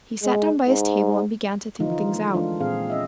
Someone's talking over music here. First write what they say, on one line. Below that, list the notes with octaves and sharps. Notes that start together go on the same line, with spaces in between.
He sat down by his table and began to think things out.
G#3
G#2
D3 E3 F3 D#4 F4
F4
A3
E3 G#3 D4 F4
A#2 C4 G#4 F5
C#4 D#5 E5